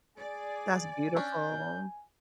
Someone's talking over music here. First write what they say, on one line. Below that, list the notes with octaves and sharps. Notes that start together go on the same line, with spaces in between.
that's beautiful.
G#4 D5 G#5
C#4 D4 G6